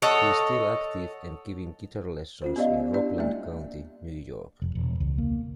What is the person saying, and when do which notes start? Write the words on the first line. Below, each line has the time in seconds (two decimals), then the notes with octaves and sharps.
He is still active and giving guitar lessons in Rockland County, New York.
0.02 A4 C#5 D#5 F#5
2.42 C#4 F4 C5
2.56 B3 G4 D5 D#5 F5
2.93 D4 E4 G4 D5
3.18 G#3 A#3 E5
4.62 F1
4.75 E1
5.00 C#2
5.18 A#3